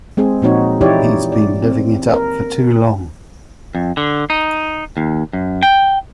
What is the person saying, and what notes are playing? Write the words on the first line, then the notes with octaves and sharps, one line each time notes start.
He's been living it up for too long.
G#3 C4 G#4
A#2 F3 C4 D#4 F#4 C#5
E3 D#4 E4 G4 C#5 D5
D5
C4
A#4
F2
D3
D#4
D#2
F#2
G5